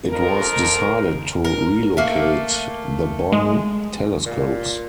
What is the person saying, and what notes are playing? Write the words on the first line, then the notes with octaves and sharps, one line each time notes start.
It was decided to relocate the Bonn telescopes.
F2 A#4
A#4
A3 A#3
G#3
A#2